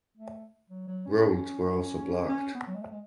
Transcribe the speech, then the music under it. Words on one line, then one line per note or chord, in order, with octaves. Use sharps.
Roads were also blocked.
A3
F#3
F#3
C#4
C#4
B3
F#3
G#3
A3
G#3